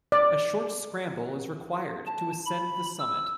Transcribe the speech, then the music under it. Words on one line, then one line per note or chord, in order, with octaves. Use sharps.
A short scramble is required to ascend the summit.
D5
A5
B5
E6